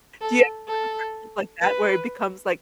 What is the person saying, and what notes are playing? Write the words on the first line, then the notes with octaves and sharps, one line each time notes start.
Do you have some friendship like that, where it becomes, like,
A4
A4
B4